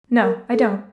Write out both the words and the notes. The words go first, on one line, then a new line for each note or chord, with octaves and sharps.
"No, I don't."
A#4
A4